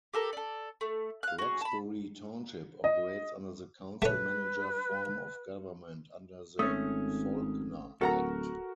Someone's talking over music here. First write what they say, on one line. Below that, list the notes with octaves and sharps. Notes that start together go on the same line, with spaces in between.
Roxbury Township operates under the Council-Manager form of Government under the Faulkner Act.
G4 A4 A#4
A4 D5
A3
F5 F#6
F#4 G#4
A5 B5
D#5
A3 C#4 B4
G#1 A3 C#4 D#6
D1 F#4 A4 A#4 F#5 A#5